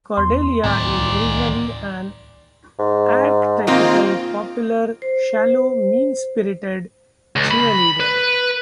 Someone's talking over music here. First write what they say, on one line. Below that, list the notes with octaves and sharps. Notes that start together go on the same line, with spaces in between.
Cordelia is originally an archetypal popular, shallow, mean-spirited cheerleader.
E2 C6
D1 C2 A2 D#3 C4 D5
G#2
D#3 A#3 C4 F4
C5
C#2
B5
B4